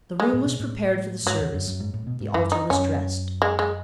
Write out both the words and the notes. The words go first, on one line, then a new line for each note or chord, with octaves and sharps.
The room was prepared for the service; the altar was dressed.
G#3
A2
B2
A2
G#2 F#3
E2
F#2
F#2
G#2
A2
B2
G#2
F#2 E3
D#4
F#2 C#4
G#3
G#3